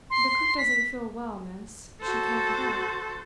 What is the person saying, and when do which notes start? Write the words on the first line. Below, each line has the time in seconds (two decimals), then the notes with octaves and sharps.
'The cook doesn't feel well, miss; she can't get up.'
0.10 C6
0.58 B6
2.02 F#4 A4 C5